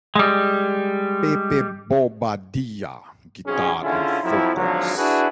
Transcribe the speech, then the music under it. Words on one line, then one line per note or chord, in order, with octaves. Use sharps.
Pepe Bobadilla: Guitar and Vocals.
G3 G#3
B1 F2 C#4 G#4
D3 C#4 E4 F4 G#4
F2 F3 F#3 E4
G#1 D3 F3 F#3
D4 E4 F#4 G#4 B4